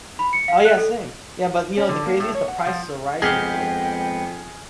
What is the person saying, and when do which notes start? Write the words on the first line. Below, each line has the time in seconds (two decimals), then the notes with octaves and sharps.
Oh, yeah, same. Yeah, but, you know, the craziest, the prices are rising for it.
0.19 B5
0.33 C#7
0.48 F5
0.65 F#6
0.77 A4
1.77 C#4
1.89 D3
2.06 A#3
2.20 A2
2.35 C#5
2.48 F#5
2.67 F3
3.22 F2 G#3 B3 G4 G#4 G5 F6